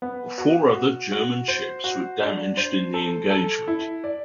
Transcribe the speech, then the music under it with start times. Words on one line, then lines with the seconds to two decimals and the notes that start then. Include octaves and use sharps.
Four other German ships were damaged in the engagement.
0.02 B3
0.38 F#4
0.75 F#4
1.12 F#4
1.48 C5
1.84 F#4
2.22 D4
2.57 C5
2.94 A4
3.30 A4
3.68 E4
4.04 D5